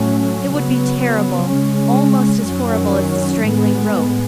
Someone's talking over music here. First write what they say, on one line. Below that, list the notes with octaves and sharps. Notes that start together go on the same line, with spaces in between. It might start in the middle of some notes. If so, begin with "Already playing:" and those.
It would be terrible--almost as horrible as the strangling rope.
Already playing: A2 F#3 A3 C#4
C#3 F#3 B3
C#3 G#3 C#4
F#2 D#3 F#3 C#4
A2 G#3 B3